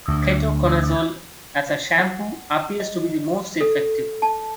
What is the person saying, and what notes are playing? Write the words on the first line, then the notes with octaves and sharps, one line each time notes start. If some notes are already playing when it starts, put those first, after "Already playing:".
Ketoconazole as a shampoo appears to be the most effective.
D2
F#5
D#5
A4
A5